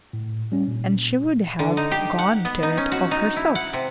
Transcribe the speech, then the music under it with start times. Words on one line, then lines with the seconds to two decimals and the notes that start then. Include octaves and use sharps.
And she would have gone to it of herself.
0.13 A2
0.52 G3 C#4
0.68 A#2
1.59 D3
1.77 D#4
1.91 G4
2.18 F#5
2.45 B3
2.63 D#4
2.77 C#4
2.92 F#4
3.11 D#4
3.36 E4
3.55 F#5
3.73 C3